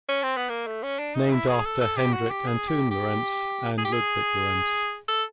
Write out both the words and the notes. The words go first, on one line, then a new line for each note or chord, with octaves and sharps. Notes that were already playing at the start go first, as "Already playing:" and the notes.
Named after Hendrik Antoon Lorentz and Ludvig Lorenz.
C#4
C4
B3
A#3
A3
C#4
D4
D#4
E4
G#4
A4
A4
G4
F#4
G4
G#4
G4
G4
G#4
G4
G#4
A4